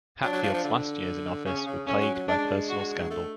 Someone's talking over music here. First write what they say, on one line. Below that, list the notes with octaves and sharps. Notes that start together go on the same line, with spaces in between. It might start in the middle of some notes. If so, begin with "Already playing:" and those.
Hatfield's last years in office were plagued by personal scandal.
F#3 D4
F#3
F3
F3
D3
C#3 C#4
C#3
A3 C#4
F#3
F#3
G#3 D4
F#4
A3